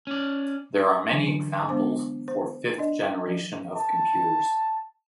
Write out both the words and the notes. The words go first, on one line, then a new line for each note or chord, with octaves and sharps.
There are many examples for fifth generation of computers.
C#4 D5
D3 E3 F#3 D4 G#5
G#3 B3 D4 C5 D6
C5
D4 D5 D#5
F3
A5